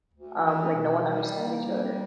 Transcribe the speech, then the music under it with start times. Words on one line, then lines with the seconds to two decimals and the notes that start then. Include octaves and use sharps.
um, like, no one understands each other?
0.13 D2
0.44 E3
0.74 B2
1.05 G3
1.35 A#3
1.65 G3